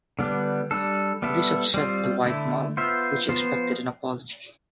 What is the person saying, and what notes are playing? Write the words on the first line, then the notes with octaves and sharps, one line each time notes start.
This upset the white mob, which expected an apology.
D3 G3 B3 D4
G3 D4 A4
G3 B3 E4 A4
G3 C4 F4
D3 A3 E4
B3 F4 C5 E5
F3 B3 F4 C5